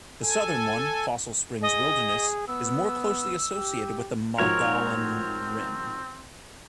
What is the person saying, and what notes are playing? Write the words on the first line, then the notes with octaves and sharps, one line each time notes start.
The southern one, Fossil Springs Wilderness, is more closely associated with the Mogollon Rim.
A4 G#5
G#4 D#5
B3 E6
G4
G#2 F3 C4 F#4 A#4 C#5